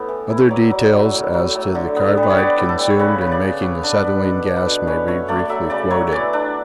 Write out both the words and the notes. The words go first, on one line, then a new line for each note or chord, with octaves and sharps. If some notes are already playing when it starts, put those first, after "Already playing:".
Other details as to the carbide consumed in making acetylene gas may be briefly quoted.
Already playing: A2 B3
E3
E4
C#5
F#3 D5
F#3
F#3
A2
F#3
A2
D3
B3
G3
B4
C#5
B3 D5
A2
A4
G3
C#5
C#3 B4
C#3
D5
C#3
B3 C#5
D4
B4
D4
B2 A4
D4
B4
B2
C#4 B4
A3 C#5
A3 D5
D5
F#3 E5
C#3 D5
F#3 C#5
E3 C#5 D5
D4